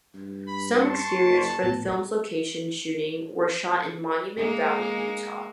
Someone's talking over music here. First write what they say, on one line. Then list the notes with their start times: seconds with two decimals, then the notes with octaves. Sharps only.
Some exteriors for the film's location shooting were shot in Monument Valley, Utah.
0.14 G2
0.48 B5
0.81 A5 C6 C#6
1.24 F#1
1.63 A2 B3
4.36 G#3 A#3